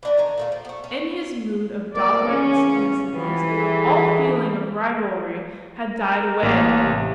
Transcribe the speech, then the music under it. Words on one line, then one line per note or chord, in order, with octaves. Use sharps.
In his mood of doglike submissiveness all feeling of rivalry had died away.
E3 D4 E5
D#3 G#5 A#5
A#2 A3 A#3
F3
A3 B3
C#4
F3 A#3 A#4 D5
E2 C#3 C#4
C3 E3 F3 B3
G3 G#4 A4
A#4
A1 A#3
C3